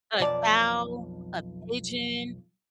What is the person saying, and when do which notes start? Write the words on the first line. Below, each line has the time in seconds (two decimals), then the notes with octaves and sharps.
a cow, a pigeon,
0.20 B1 F2 D5 A5